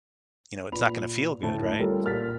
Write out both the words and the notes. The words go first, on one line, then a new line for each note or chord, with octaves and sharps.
you know, it's not gonna feel good, right?
A#2 B4 B5 F7
D2 A2 A5
G3 C#4 F4 G4 A4 A#4
A#2 F4 A#4 F6 A6 B6